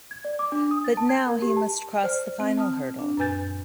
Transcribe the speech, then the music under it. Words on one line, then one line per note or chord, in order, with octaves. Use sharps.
But now he must cross the final hurdle.
G#6
D5
D6
D4
D#6
A6
A5
G#6
A#4
G4
A5
C5 D5 F6
C4
A5 D#6 F6
D4
F#2 A#2 B4 G#5 G6 A6